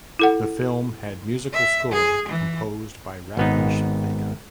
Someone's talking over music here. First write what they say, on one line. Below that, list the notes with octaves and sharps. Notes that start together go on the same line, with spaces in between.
The film had musical score composed by Ratheesh Vega.
E4 A4 F#5
E5
G#4
E3
G#1 B3 D#4